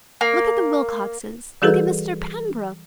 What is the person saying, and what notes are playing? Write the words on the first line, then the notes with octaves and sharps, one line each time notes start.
Look at the Wilcoxes, look at Mr. Pembroke.
A#3
E3 G3 F#4 G#4 A4 B4